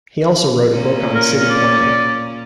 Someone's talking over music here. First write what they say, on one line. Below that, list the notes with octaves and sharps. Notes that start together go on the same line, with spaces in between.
He also wrote a book on city planning.
A#2 C#4
A#4
D5